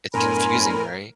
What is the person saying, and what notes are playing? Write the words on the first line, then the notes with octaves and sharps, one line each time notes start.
It's confusing, right?
F#2 A2 B3 D4 A#4 G#5 B5 C6